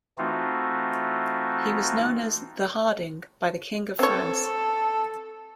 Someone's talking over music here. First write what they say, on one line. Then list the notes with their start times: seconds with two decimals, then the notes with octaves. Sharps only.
He was known as "the Harding" by the king of France.
0.18 E3 A3 C4 D#4 F4 F#4
3.99 C4 A4 C#5